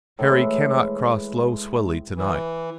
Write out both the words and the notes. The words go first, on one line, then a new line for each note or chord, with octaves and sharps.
Harry cannot cross Lough Swilly to-night.
A2 E3 G#3
E3